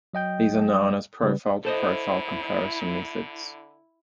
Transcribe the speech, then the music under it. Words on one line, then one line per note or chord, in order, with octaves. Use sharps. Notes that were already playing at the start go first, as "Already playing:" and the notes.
These are known as profile-profile comparison methods.
F#3 D#5 G5 G6
C#3 G3 B4
D3 E4 A4 C5 D#5